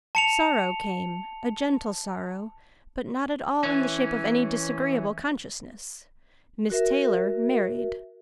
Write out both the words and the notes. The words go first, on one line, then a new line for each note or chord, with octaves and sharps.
Sorrow came--a gentle sorrow--but not at all in the shape of any disagreeable consciousness.--Miss Taylor married.
A5 C#7 F7
E3 C#4
F#4 A#4 E5